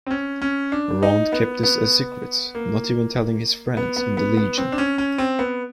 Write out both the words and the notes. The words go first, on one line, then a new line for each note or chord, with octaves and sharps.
Rond kept this a secret, not even telling his friends in the Legion.
C4
C#4
C#4
D4
D#4
B3
B3
A#3
B3
B3
B3
B3
C4
D4
C#4
C#4
C4
B3